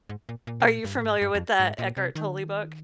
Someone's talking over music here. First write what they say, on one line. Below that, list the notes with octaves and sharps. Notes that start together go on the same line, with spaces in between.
are you familiar with that Eckhart Tolle book?
G#2
A#2
A#2
C3
A#2
G2
A#2
G#2
G2
F2
G#2
A#2
C3
D#3
D3
D#3